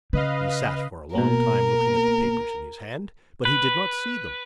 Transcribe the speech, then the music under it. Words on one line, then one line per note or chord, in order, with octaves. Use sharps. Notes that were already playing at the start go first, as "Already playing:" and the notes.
He sat for a long time looking at the papers in his hand, but he did not see them.
C#3 B4 D#5 F5
B2 A#3 A#4
B4